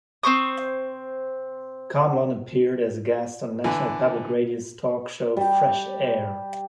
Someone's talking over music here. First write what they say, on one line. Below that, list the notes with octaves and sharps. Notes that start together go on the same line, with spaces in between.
Conlon appeared as a guest on National Public Radio's talk show "Fresh Air".
C4 C5 C#6 D#6
D3 E3
G3 G4